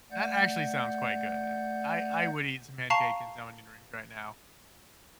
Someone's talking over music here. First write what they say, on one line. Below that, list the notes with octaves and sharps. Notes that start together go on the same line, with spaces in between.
that actually sounds quite good, I mean, I I would eat some pancake and some onion rings right now.
A3 D5 F#5 G6
F5 A5 A#5 C#6 C7